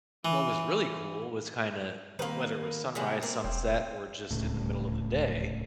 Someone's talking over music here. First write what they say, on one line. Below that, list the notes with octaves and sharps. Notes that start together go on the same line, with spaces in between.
what was really cool was kinda, whether it was sunrise, sunset, or just in the middle of the day
E3
D#3 G3 A#3 C4 A#4 B4
C3 G3 G#3 B3 G#4
A#3 C4
E1 C#5 F5 G5
D1 C#2 A2